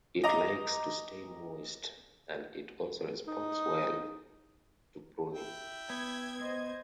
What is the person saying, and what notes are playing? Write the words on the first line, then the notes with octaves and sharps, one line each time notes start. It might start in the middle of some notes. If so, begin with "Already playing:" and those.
It likes to stay moist and it also responds well to pruning.
D#5 A#5 D6
D#4
E4 E5 G5
B3 G#6
C5 D#5